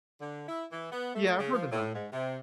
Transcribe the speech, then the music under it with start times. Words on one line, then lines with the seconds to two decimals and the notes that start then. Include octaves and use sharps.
Yeah, I've heard of them.
0.20 D3
0.48 E4
0.71 E3
0.91 B3
1.14 A3
1.38 C#3
1.53 F3
1.71 A2
1.94 G#2
2.12 C3